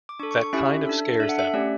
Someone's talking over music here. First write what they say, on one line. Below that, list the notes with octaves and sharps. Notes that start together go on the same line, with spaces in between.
That kind scares them.
D6
D4 A4 C#6
C#6
C#6
C#4 E4 G4 E5
D4 A4
D4 A4 E5
F#5
E5
A3 C#4 G4 D5